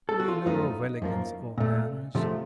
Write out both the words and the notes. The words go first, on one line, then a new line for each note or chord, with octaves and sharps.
What do you know of elegance or manners!
A4
F#4
F4
F#2 F3 A3 D#4
F#2 F3 A#3
A#2 A3
C3 F3 A3